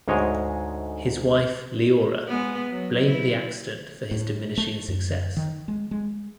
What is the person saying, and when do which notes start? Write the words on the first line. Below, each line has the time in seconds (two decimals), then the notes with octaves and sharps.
His wife, Leora, blamed the accident for his diminishing success.
0.08 D2 G#2 G#3 C#5 D#5
2.27 G#3 B3
2.70 F#3
3.03 E4
4.11 A2
4.58 A3
4.88 F#2
5.37 D#3
5.68 G#3
5.91 G#3